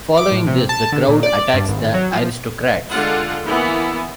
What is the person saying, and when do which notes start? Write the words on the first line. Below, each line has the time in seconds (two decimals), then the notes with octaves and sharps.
Following this, the crowd attacks the aristocrats.
0.17 D6
0.32 A2
0.47 C3
0.69 A5
0.92 D3
1.08 A#2
1.23 D5
1.54 G2
1.69 G#1
1.94 F#3
2.13 F3
2.89 D3 G#3 F4 F#5
3.46 E3 A#3 B3 E4